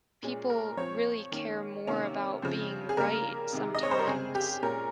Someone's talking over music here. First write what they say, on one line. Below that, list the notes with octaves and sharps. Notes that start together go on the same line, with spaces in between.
People really care more about being right sometimes
A#2 G#3 C#4
A#4
F3 C4 C#5
D#3 A#3 C#4
C3 D#3 A#3 C#4
C#3 F3 C4
G#4
C#3 G3 A#3 A#4
C3 D#3 G#3
D#5
C#5
C5
A#4
C#3 G#3 C4 G#4
G4
A#2 G#3 C#4 A#4